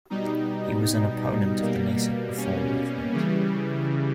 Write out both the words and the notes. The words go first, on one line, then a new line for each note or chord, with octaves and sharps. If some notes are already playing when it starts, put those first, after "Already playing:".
He was an opponent of the nascent Reform movement.
B2 G3 D#4
B2 G3 A#3
C#4
C#3 E3 G3